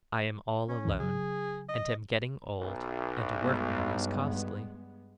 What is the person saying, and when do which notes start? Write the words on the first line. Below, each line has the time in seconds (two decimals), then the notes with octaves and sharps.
I am all alone, and am getting old, and a workman is costly.'
0.68 C#4
0.85 C2 F#2 E3
0.99 C#3 F#3 G#4
1.69 D#5
2.60 B1
3.41 G2 G#3 B3